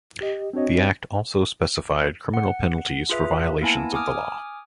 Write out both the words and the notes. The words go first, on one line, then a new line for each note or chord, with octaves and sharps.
The act also specified criminal penalties for violations of the law.
G4 D#5
C4 D4 F#4 C#5 D#5
F#5
F4 G#4 B4 E5
A#3 B3 E4 G#5 A5
G#5 D6 D#6 F6